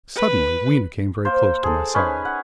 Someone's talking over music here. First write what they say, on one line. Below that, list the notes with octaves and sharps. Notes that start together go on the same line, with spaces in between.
'Suddenly Weena came very close to my side.
B4
A#3 C5
G#4 A4
C#4 D#4 B4 G#5
F#5